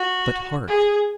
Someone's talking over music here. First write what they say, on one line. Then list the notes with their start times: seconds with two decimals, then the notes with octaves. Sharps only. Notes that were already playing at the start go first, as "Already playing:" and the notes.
But, hark!
Already playing: F#4
0.68 G#4